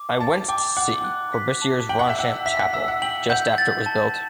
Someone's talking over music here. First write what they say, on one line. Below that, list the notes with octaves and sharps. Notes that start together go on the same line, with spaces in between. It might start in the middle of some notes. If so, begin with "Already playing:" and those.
I went to see Corbusier's Ronchamp chapel just after it was built.
Already playing: D6
A5 A6
G5 D6
F#5 D6
F#6
B6
A5
G5 F#7
F#5
E5
F#5 E6
E5 B6
F#5
E5 E6
F#5
G5 F#7
F#5 G6
A6
A5
E7